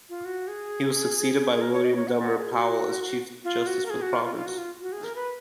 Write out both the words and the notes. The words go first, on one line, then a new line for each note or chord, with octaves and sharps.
He was succeeded by William Dummer Powell as Chief Justice for the province.
F4
F#4
G#4
G#4
A#4
C#5
D#5
C#5
F#5
F#5
G#4
F#4
F4
F#4
A#4
G#4
F#4
F4
F4
F4
F#4
F4
F#4
G#4
A#4
B4